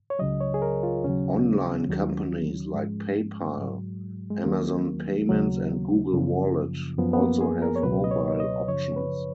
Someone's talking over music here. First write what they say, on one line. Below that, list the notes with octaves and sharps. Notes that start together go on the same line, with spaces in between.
Online companies like PayPal, Amazon Payments, and Google Wallet also have mobile options.
C#5
C#2 C#3 F#3 D#5
C#5
G#4
A#4
F4
D#2 C#3 F#3 C#4
D#2 D#3 F#3
G#2 F3 G#3
G#2 F#3
G#3
D#2 D#3 F#3 A#3
D#2 C#3 F#3
F#2 C#3 F3
F#2 F3 B3
B3
A#3
G#4
A#4
C#5
C#2 B2 F#3 B4
D#5
C#5
D#5
F#2 C#3 F3 C#5
B4